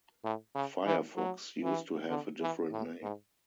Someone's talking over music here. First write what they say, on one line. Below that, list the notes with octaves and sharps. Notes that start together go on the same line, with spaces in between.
Firefox used to have a different name.
A2
C#3
E3
F#3
E3
D3
E3
A2
G#2